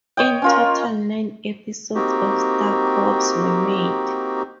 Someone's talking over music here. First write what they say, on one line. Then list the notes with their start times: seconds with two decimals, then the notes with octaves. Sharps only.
In total nine episodes of "Star Cops" were made.
0.17 C#5 D#5 G5
0.42 C#4 F4 A#4
1.95 A#3 C4 D#4 F#4 G4